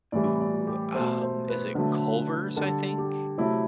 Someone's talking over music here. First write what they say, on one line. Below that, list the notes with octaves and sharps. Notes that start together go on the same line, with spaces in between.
Ooh, um, is it Culver's, I think?
A2 E3 G3 D5
D5
G4
B2 A3 C5
C5
B4
D3 F#3 A3
D3 G3 A4
G4
C3 F#3 A3 E4